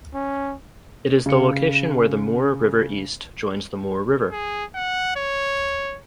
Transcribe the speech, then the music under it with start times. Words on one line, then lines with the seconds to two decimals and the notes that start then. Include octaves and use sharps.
It is the location where the Moore River East joins the Moore River.
0.14 C#4
1.26 C#3 C#7
4.32 G#4
4.75 F#5
5.16 C#5